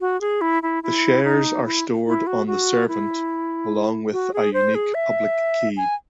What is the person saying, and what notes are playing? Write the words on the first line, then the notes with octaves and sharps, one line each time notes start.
The shares are stored on the servnet along with a unique public key.
F#4
G#4
E4
E4
E4
D#4
E4
E4
F#4
F#4
E4
F#4
G#4
C5
G#4
E5
G#5